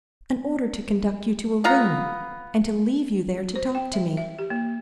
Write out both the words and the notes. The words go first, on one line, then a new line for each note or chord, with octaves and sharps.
"An order to conduct you to a room, and to leave you there to talk to me."
B3 F4 F5 A#5
C5
G5
E5
E5
G4
A#3